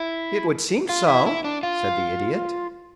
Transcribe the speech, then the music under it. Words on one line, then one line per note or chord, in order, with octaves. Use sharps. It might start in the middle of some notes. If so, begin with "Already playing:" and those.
"It would seem so," said the Idiot.
Already playing: E4
F4
E4
E4
D4
F4